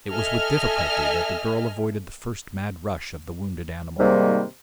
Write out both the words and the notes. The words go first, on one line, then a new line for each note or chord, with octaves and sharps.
It was with difficulty that the girl avoided the first mad rush of the wounded animal.
A4 D#5 E5 G#5 F6
G#2 C3 D#3 G3 A#3